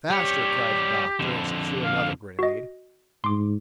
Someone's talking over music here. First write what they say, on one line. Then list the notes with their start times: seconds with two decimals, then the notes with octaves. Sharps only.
"Faster!" cried the doctor, as he threw another grenade.
0.10 G3 G4 C#5
1.19 F2 D3
1.84 F5
2.39 F#4 D#5
3.24 G#2 C6 D6